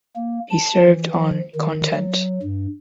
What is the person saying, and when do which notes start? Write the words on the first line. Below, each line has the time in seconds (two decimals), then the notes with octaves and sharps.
He served on "Content".
0.16 A#3
0.50 A5
0.84 E3
1.15 F3
1.55 D#3
1.95 F#3
2.43 G2